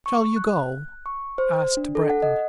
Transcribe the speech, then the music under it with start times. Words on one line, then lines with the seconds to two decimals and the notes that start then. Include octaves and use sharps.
"Shall you go?" asked Breton.
0.06 C#6
0.36 F#6
1.06 C#6
1.38 C5
1.77 D4
1.95 A4
2.10 F#5
2.22 D#5